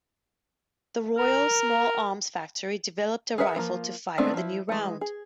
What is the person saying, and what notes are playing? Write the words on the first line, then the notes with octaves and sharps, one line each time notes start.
The Royal Small Arms Factory developed a rifle to fire the new round.
A#4
G#4 A#4 B4 E5 F#5
F3 A#3 F4
G#3 A3 B3 C4 D4
F3 E4
E3 G#3
G#4